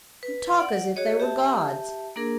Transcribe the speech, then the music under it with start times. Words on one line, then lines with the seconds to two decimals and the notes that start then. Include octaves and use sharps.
You talk as if they were gods.'
0.23 B4
0.58 D5 F#5
0.96 F#4 G#4 C#5 D#5
1.20 G4 E5 A5
2.16 A#3 D4 G#4 A#4